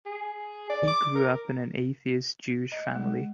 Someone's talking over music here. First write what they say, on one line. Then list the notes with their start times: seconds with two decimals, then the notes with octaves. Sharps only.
He grew up in an atheist Jewish family.
0.06 G#4
0.70 D5
0.87 D6
1.15 A#4
2.72 D#5
2.95 G#3